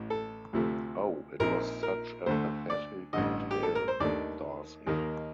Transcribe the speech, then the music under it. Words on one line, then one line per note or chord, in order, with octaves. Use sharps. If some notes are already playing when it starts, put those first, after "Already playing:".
Oh, it was such a pathetic tale, Darcey.
Already playing: A1 A2
A4
D2 C3 F3 A3
A#1 A#2 F3 C4 D#4 A#4
A#4
D2 D3 A3 C5
D5
A1 G2 D3 D#5
G4
A4
A#4
C5
D#2 D#3 A3 D4 D5
D#2 D#3 A#3 D#4